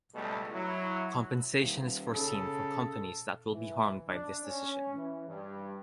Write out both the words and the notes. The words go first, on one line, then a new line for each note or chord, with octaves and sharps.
Compensation is foreseen for companies that will be harmed by this decision.
C#2 B2 G3 A3
F#3 E4
D#1
C#3 A4
E3
D4
C#4
E3
G2